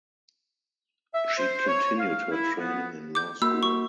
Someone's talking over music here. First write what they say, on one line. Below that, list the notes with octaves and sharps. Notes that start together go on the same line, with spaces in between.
She continued her training in law school.
E5
C5
C#5
F5
E4
B3
D6 G6
A#3 F#4 B5 E6
C#6